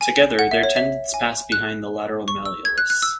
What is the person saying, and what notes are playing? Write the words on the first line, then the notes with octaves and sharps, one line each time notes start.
Together, their tendons pass behind the lateral malleolus.
G#5
F#5
E5
C#5
E5
G#5
F#6
C#6
E6
G#6
F#6
F#6
E6